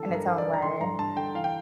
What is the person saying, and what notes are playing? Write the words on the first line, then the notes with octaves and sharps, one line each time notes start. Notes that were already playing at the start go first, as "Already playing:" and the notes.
in its own way.
Already playing: D3 E3 A4
G2
A#4
G2
D5
E3
A#5
D3 C6
G2 A#5
G2 A5
D3 G5
E3 F5
G5